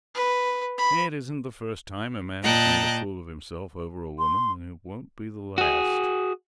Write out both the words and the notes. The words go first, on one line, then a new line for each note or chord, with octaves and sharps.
It isn't the first time a man has made a fool of himself over a woman, and it won't be the last.
B4
B5
A#2 D#5 G5 A5 A#5 F#6
C6
F#4 G#4